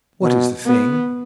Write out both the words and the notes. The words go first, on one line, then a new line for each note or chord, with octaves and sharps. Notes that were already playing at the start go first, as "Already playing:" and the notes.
"What is the thing?"
B2
B3